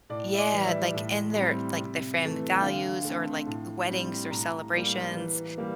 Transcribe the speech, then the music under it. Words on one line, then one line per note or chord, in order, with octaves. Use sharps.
Yeah, like, in their like, their family values or, like, weddings or celebrations.
A2 D5
E5
D5
E3 G3
E5
A2
G3 C4
C3
E3 A3
G5
D3 F5
A3 C4
A2
G3 C4
A2 A#5
G3 A#3
E3
G3 A#3